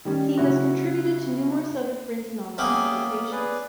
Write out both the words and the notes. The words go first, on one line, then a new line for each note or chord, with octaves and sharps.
He has contributed to numerous other print and online publications.
D#3 G3 C#4
C#3 F#3 C#4 E4 F#4
A#3 B3 C#4 G#4 E5 G5
G#4 B4 D5